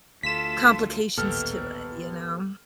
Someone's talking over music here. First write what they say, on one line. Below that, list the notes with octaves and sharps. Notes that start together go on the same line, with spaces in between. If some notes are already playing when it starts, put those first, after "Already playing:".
complications to it, you know?
D2 F4 A4 B6 E7
A1 D#2 A#2 B3 G4 A4 F6